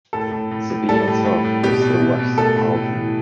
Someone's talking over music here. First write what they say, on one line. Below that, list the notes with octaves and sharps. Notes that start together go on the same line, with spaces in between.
Sabine itself is to the west of Aldrin.
A2 A4
A2
A2
A2
G3 A4
A2
A2
A2
B2 G4
B2
B2
B2
A3 A4
A2
A2
E3